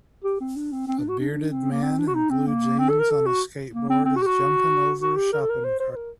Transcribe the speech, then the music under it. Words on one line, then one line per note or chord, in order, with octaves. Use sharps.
A bearded man in blue jeans on a skateboard is jumping over a shopping cart.
G4
C4
D4
C4
C4
D4
F#4
D4
C4
A#3
C4
D4
F#4
D#4
C4
A#3
C4
A4
A#4
A4
F#4
A#3
C4
C4
F#4
G4
F#4
F#4
G4
A#4
A4
A#4
C5
C5
C5
A#4